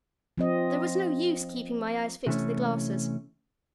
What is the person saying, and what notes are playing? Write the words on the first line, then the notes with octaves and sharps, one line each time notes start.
There was no use keeping my eyes fixed to the glasses.
F3 C4 D#5
C3 E3 A3 C#4